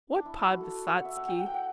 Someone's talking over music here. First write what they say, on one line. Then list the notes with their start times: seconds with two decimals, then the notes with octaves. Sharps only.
"What Podvysotsky?"
0.15 D4
0.26 E4
0.37 E4
0.49 F#4
0.61 A4
0.96 F#5
1.05 E5
1.17 F#5
1.28 G5
1.39 F#5
1.46 G5
1.54 F#5